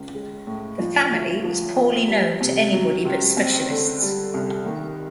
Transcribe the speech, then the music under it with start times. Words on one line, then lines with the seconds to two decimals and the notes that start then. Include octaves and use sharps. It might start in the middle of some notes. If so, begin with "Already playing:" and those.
The family is poorly known to anybody but specialists.
Already playing: C#2
0.15 G#3
0.47 A2
0.79 F3
1.12 D2
1.44 F3
1.76 E2
2.08 G3
2.41 C3
2.73 F#3
3.05 C#2
3.37 C4
3.70 D3
4.02 G3
4.34 C2
4.66 D#3